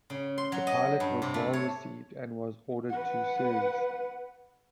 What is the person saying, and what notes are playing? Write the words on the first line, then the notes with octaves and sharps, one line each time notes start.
The pilot was well received and was ordered to series.
C#3
C6
F#3
D#5
G2
C3
A3
C#5
B4 F#5